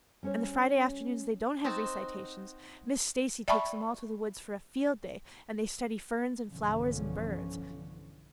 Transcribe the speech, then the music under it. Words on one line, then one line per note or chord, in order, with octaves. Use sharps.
And the Friday afternoons they don't have recitations Miss Stacy takes them all to the woods for a 'field' day and they study ferns and flowers and birds.
G3 C#4 C5 C#5
C4 D#4 F#4 A5
D5 E5 G5 A5 B5 C#6
B1 G2 D3 E3 F3 C#4